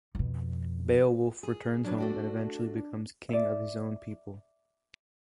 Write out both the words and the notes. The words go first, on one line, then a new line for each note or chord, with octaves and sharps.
Beowulf returns home and eventually becomes king of his own people.
F2 B2
G#4
F#3 C#4 D4 B4
A3 F#4 D5
D5 E5